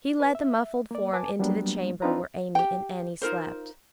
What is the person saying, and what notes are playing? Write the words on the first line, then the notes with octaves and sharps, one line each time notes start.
He led the muffled form into the chamber where Amy and Annie slept.
B4
E5
A#3 D5
B4 G#5 A5 D6
F#3 G3 A#3 B3 D4
C4 D4 D#4 F4 B4 A#5
G4 G5
D#4 F4 A#4 C5